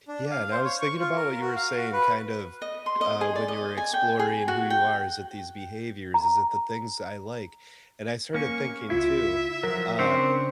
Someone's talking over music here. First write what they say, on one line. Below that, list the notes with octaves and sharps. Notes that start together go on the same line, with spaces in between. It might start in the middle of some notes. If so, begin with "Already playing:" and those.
Yeah, and I was thinking about what you were saying, kind of, k uh, when you were exploring who you are, is it these behaviors? Is it the things I like? And I started thinking too, uh,
D4
F5
C5
C#5
C#6
F4
A#4
F#4
F5
F#4
B4
D#5
C6
D#5
G#4
D5
D#5
G#5
G5
G#4
F#4
G5
A#5
A#3 C#4 C#6
C#2 E4 F4 E5 G#6
F3 F#3 A#4
C#3 C4 D4 C#5